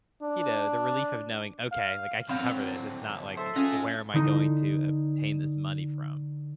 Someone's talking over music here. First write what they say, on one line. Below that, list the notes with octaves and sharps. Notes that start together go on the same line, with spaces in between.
you know, the relief of knowing, "Okay, like I can cover this," it's not like, "Where am I going to obtain this money from?"
D4
F5
D3 F#3 C4 F5 B5
A4 C5 E5
C#4 F4 D#5 G#5
D3 D#4